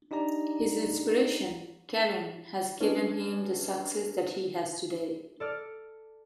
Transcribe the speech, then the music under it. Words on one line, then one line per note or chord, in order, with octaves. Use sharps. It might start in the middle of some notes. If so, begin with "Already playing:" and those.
His inspiration, Karen, has given him the success that he has today.
D4 D#4 G4 D5 A#5
C#4 D4 B4 D#5
A4 D5 F6